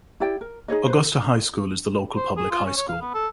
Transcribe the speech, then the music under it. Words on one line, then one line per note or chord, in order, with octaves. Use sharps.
Augusta High School is the local public high school.
E4 G4 D5 G5
A#4
D#4 G#4 C#5 D#5
B4 C5
C5
G#4
F4
C#4
C#5
F5
B3
A4